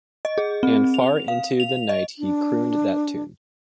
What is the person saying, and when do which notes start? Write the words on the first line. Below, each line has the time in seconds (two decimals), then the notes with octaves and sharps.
And far into the night he crooned that tune.
0.25 D#5
0.38 G#4
0.63 C4
0.94 F7
1.28 F5
1.60 F7
1.89 D#5
2.19 D4